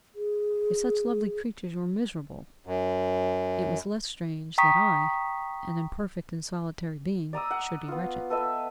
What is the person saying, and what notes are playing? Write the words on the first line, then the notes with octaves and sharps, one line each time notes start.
If such lovely creatures were miserable, it was less strange that I, an imperfect and solitary being, should be wretched.
G#4
F#2
G5 A#5 C#6 D#6 B6
D5 A#5 D#6 E6
F#5
B3 F4
A4 B4 D#5 E5